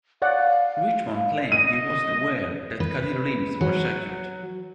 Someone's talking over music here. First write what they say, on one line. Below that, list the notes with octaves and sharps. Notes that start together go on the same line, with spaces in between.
Richmond claimed he wasn't aware that Kadir's limbs were secured.
C#5 D5 F5 F#5
D#5 D#7
B4
F#3